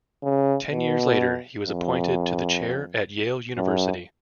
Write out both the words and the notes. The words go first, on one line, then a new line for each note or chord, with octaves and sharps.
Ten years later he was appointed to the chair at Yale University.
C#3
B2
F2
F#2